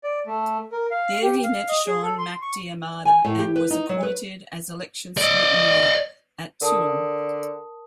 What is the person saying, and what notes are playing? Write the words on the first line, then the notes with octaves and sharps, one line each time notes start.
There he met Sean MacDiarmada and was appointed as election scrutineer at Tuam.
D5
A3
A#4
F5
G4
F5
D#5
G#4
A4
C6
C#6
G#5
A2
G4
B4
D#4
F#3
B4
D5 D#5
D3 A#4 A5 D#6